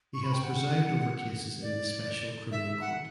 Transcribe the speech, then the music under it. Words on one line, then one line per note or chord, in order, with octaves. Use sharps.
He has presided over cases in the Special Criminal Court.
C#6
B5
G5
F#5
D5
E5
F#5